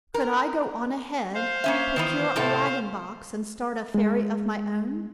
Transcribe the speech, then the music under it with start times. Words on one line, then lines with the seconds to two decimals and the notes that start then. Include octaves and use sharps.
Could I go on ahead, procure a wagon box, and start a ferry of my own?
0.14 A#4
1.34 C5 F5
1.64 A#3 C#4 E5
1.96 D#3 E3 B3
2.36 A2 C3 A4
3.94 G#3